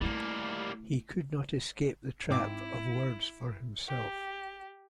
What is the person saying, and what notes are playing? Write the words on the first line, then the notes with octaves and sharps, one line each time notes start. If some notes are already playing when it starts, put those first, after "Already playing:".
He could not escape the trap of words for himself.
G3 A3 A#3 E4
G#2 C4 E4 D6
G4